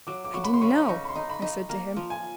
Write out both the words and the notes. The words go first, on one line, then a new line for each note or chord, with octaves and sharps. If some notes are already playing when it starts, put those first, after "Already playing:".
"I didn't know," I said to him.
F#3 D6
D6
F#3 C#6
B5
C6
C#3 C#6
D#4 C#6
B5
C6
D#4
B5
D#4
A#3 A#5
F3
G#5